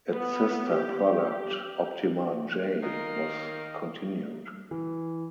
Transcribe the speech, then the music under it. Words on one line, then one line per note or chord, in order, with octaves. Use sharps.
Its sister product, Optima-J was continued.
B3
G4
D#3 A#4 D#5 F5 C7
E3